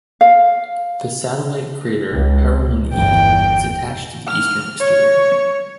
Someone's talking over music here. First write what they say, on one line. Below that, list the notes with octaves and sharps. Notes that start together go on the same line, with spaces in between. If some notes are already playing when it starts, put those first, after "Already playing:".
The satellite crater Perel'man E is attached to the eastern exterior.
F5
C#2
G1 E2 G5
F6
C#5